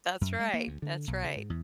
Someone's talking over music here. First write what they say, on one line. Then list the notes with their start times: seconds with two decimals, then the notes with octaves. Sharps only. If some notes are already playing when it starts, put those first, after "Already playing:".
That's right, that's right.
0.21 F#2
0.39 G#3
0.54 A#3
0.67 D2
0.82 D3
1.07 B1
1.23 C#3
1.36 G#2
1.50 E2